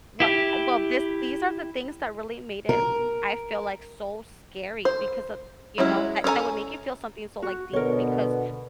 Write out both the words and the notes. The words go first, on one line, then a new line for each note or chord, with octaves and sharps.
well, uh, well, this these are the things that really made it I feel, like, so scary because of, you know that that would make you feel something so, like, deep, because
E4 G4
A#4
C5
F#3 G#3 C#4 E4
C#4 A4 C5 G#5 A#5
F#4
B2 D3 B3 A#4 C#5